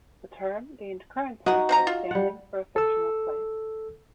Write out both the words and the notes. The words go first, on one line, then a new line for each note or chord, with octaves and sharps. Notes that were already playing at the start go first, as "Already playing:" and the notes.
The term gained currency as standing for a fictional place.
D#4 F#4 D#5 F#5
C4 F5 A#5
F4
G3 F#5
A4 E6